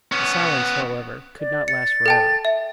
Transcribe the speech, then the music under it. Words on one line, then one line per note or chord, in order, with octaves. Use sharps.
The silence, however, could not last forever.
B3 C#4
D5
A6 C#7
A4 G5 A5
E5